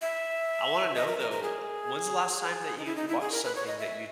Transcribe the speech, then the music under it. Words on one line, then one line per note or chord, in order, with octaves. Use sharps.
I wanna know, though, uh, when’s the last time that you watched something that you
E5
D#5
A#4
A#4
A#4
G#4
D#4
E4
D#4
E4
G#4
A#4
B4
C#5
D#5
E5